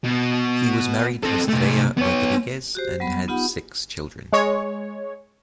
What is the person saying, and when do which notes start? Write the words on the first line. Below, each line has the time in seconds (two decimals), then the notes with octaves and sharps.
He was married to Estrella Rodriguez and had six children.
0.04 B2
1.23 C4 A4
1.49 C3 A3
1.98 B3 C#5
2.75 F#4 G4 C5
3.00 F#3 G3 B3 B5
3.28 B3 D#4 F4 G4 F#5 B5
4.32 G#3 C#5